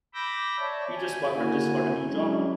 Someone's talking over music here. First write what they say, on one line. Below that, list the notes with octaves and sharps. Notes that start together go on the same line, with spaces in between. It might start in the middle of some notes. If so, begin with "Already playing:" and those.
Peter's boyfriend just got a new job.
B5 D6 E6 G6 A#6
C#5 D5 E5 A5
E5 G#5
D3 A#3 E4 F#4 G#5
F#3 G#3 C#4 D4 E4